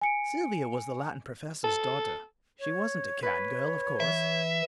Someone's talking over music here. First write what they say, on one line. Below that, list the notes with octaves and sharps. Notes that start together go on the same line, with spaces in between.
Sylvia was the Latin professor's daughter; she wasn't a Cad girl, of course.
G#5 C#7 D7
A4
C#5
B4 C#5
E3 E5